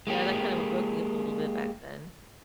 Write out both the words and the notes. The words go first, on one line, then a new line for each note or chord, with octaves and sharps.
Yeah, that kinda w woke me up a little bit back then.
G#3 A#3 G4